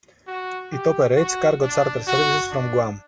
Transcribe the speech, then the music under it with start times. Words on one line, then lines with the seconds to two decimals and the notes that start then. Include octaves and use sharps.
It operates cargo charter services from Guam.
0.27 F#4
0.72 G4
1.17 F#4
1.62 D4
2.07 F#4
2.51 D4